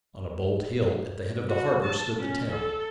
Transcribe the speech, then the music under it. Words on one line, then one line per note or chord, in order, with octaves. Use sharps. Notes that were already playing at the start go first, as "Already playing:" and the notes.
On a bold hill at the head of the harbour stood the town.
F#4
A5
C#4
A4